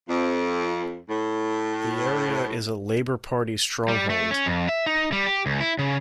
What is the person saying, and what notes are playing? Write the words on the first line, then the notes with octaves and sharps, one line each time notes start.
The area is a Labour Party stronghold.
F2
A2
G3
A3
C#4
F2
E5
D#4
G3
G4
C#2
E4
C#3